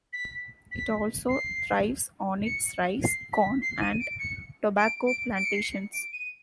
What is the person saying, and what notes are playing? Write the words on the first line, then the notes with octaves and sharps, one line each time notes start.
It also thrives on its rice, corn and tobacco plantations.
B6
B6
C7
C#7
C7
B6
C7
D#7
D7
C#7
D7
D7
D7
C#7
C7
C#7
D7
D#7